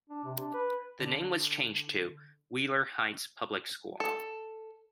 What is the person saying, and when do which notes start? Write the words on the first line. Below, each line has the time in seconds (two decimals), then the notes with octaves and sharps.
The name was changed to Wheeler Heights Public School.
0.10 D4
0.24 C3
0.39 D4
0.54 B4
1.00 D3
4.00 A4